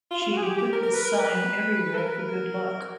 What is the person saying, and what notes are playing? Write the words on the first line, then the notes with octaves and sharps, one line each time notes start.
She put this sign everywhere for good luck.
F4
F4
F#4
G#4
G4
G4
A#4
A#4
B4
A#4
B4
A4
A#4
B4
A#4